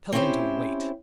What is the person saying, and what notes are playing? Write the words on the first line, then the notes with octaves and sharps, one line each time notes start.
Tell him to wait.
C4 C#4 E4 F4 G4 C5